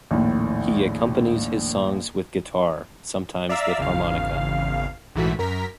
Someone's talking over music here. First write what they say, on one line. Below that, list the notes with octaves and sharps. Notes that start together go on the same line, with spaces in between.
He accompanies his songs with guitar, sometimes with harmonica.
A#1 D#2 A2
D5 E5 F5 A#5 E6
G#1 E2 C#3 F5
A#1 G#2 E3 A3 F#4 B6
F#2 A#4 A#5 B6